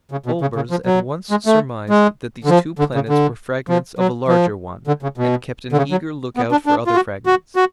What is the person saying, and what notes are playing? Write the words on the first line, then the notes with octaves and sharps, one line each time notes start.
Olbers at once surmised that these two planets were fragments of a larger one, and kept an eager look out for other fragments.
C#3
B2
C#3
C#3
F3
F#3
G#3
A3
G#3
D3
F3
D3
C#3
D3
F3
F#3
F3
D3
C#3
B2
D3
C#3
F#3
B3
D4
D4
F4
F#4
F#4
F#4